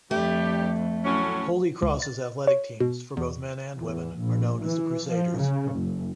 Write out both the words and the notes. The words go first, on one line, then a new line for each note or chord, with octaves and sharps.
Holy Cross's athletic teams for both men and women are known as the Crusaders.
F2 G3 A3 D4 G4
A2 F#3 C#4
C#2
A6
C#5
B2
E2
E2
A#1
E3
F3
C#3
F#1